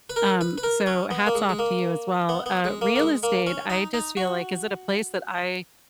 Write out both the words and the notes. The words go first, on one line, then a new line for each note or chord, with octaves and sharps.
um, so hats off to you as well, uh, real estate, I just feel like, is it a place that I
B4
A#4
B4
B4
A#4
C#4
B3
A#3
G#3
G#3
A#3
B3
B3
G#3
A#3
A#3
G#3
A#3
C#4
D#4
D#4
F#4